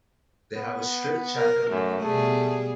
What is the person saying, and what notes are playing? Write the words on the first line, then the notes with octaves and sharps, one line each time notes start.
They have a shrill chatter when feeding.
B3
A#4
F#2 A3
B2 G3 A3 G#4